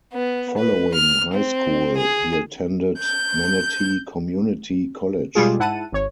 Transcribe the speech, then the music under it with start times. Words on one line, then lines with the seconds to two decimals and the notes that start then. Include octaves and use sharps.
Following high school, he attended Manatee Community College.
0.13 B3
0.57 B4
0.94 F6
1.34 C4
1.97 G#4
2.99 G6
5.35 B2 G3 G#3 F4 G#4
5.59 G#2 E4 F#5 A5 D#7
5.92 G#1 C#5